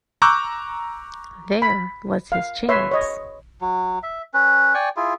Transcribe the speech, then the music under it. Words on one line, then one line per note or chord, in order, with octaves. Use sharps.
There was his chance.
A#5 C#6 D6 E6 F#6 G6
B5
F5
B4 C#5 E5 C6
C#5 D#5
F#3
E5
C#4 B4
D5 G5 G#5 C#6
E4 F4 G#4